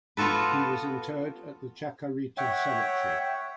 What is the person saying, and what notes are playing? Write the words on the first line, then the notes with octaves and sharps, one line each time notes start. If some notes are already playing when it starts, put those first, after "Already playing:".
He was interred at the Chacarita Cemetery.
B3 F4 F#4 A4 B4
C#5 E5 F#5 G5